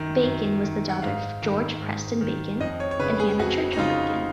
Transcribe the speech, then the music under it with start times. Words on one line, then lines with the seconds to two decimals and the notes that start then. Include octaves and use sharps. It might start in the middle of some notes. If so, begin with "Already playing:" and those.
Bacon was the daughter of George Preston Bacon and Hannah Churchill Bacon.
Already playing: F#2 D#3
0.24 F#2
0.63 D#3
0.89 F#5
1.02 G#2 F5
1.42 D#3
1.81 G#2
2.21 D#3
2.60 F2 D#5
2.80 C#5
2.91 C#5
2.99 C#3 B4
3.20 G#4
3.39 F2 F#4
3.73 D#4
3.79 C#3 F4